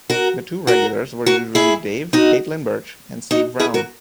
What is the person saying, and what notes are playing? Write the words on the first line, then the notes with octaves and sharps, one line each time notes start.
The two regulars were usually Dave Catlin-Birch and Steve Brown.
F#4 A#4
F#4 A#4
F#4 A#4
E4 G#4
D#4 F#4
D#4 F#4
E4 G#4
F#4 A#4